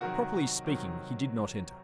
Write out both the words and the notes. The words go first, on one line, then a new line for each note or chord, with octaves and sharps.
Properly speaking, he did not enter.
C3 D#3 F#3 F#4 A#4
C3 D#3 F#3